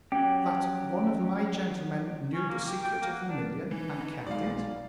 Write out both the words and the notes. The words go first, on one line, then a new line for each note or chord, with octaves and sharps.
"That one of my gentlemen knew the secret of the million, and kept it?"
F#3 C#4 G4 G5
C#4
A#3
G4
G5
A#3
F#5
D4
E3 D#4
B1 G#3 D5 F5